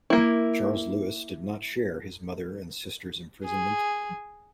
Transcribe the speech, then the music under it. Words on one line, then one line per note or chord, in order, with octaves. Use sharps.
Charles Louis did not share his mother and sister's imprisonment.
A#3 E4
G#4